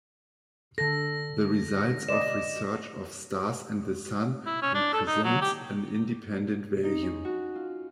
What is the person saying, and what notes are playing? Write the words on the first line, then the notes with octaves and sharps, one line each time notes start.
The results of research of stars and the Sun represents an independent value.
D3 A4 A#6
D5 D#5 E7
E4
C#4
D4
A4
D#4
F#3
G4
D#4
C#4
F#4
F4